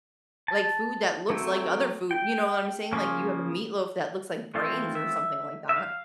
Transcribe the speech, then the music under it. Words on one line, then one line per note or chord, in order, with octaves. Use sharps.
like, food that looks like other food, you know what I'm saying? Like, you have a meatloaf that looks like brains or something like that.
A5
F#3 A3 C4
G5
C#3 F3 A#3 C#4
E3 A3 C4 F4
E5
E5
F5